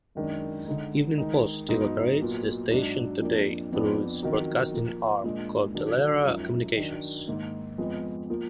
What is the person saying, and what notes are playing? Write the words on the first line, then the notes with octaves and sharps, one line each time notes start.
Evening Post still operates the station today through its broadcasting arm, Cordillera Communications.
F#2 D#3 G#3 D4
D3 G#3 D#4
D#3 G#3 D#4
G#2 F#3 B3 D#4
A#2 F#3 B3
G#2 F#3 D4
F2 F3 A#3 D4
F2 F3 B3 D4
F2 D#3 F#3
A#2 F3 A#3
A#2 G#3 D4
D#3 F#3 D4
F#2 F3 G#3 D#4
D#3 F#3 D4
G#2 D#3 A#3
F2 F3 G#3 B3
F3 A#3